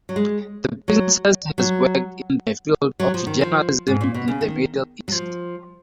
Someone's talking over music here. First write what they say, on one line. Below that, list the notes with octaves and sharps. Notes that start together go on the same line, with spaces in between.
The Princess has worked in the field of journalism in the Middle East.
F#3
G#3
F#3
F#3
F#3
F3
D#3
F3
G#2
A#2
B2
C#3
D#3
F#3
F3